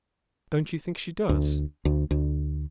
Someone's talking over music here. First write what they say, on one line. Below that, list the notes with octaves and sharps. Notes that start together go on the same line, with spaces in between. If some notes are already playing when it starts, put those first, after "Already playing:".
"Don't you think she does?"
D2
D2
D2